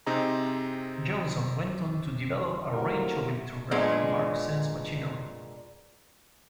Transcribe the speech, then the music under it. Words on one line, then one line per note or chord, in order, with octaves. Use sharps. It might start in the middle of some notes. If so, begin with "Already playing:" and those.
Johnson went on to develop a range of electrographic mark-sense machinery.
C3 C4 D#4 G#4 A#5
C3 F#3 A3 A#3 E4 A#4
A#2 G#3 B3 D4